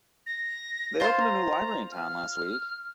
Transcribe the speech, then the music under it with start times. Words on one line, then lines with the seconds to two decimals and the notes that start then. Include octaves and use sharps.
They opened a new library in town last week.
0.26 A#6
1.00 F4 C5 C6
1.19 A#5
1.92 F6